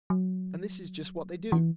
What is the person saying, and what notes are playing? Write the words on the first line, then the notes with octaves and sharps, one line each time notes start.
And this is just what they do.
F#3
E3